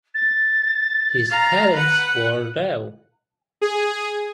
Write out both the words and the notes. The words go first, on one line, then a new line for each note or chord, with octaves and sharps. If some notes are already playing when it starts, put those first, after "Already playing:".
His parents were Rev.
A6
F5 A#5
B4 F#5
G#4